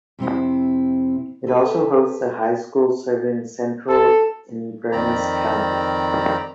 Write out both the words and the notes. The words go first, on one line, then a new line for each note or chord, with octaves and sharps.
It also hosts a high school serving central Inverness County.
F2 C3 C4 E4
A4 B4
A4
F2 D#3 C4 D5 A#5 B5